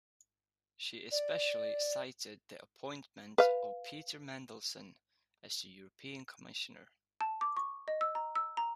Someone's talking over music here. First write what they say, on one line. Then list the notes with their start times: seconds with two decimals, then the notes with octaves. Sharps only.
She especially cited the appointment of Peter Mandelson as a European Commissioner.
1.12 D5
3.38 B4 F5
7.21 A5
7.41 D6
7.57 C#6
7.88 D#5
8.01 E6
8.15 A#5
8.35 E6
8.57 A#5